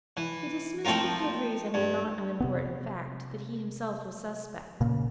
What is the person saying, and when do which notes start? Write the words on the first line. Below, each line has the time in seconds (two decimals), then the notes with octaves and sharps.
He dismissed with good reason the not unimportant fact that he himself was suspect.
0.17 E3
0.85 F3 A3 C4 F4 A#4
1.74 G2
2.40 C3 B3
4.81 A#2 C#3 A#3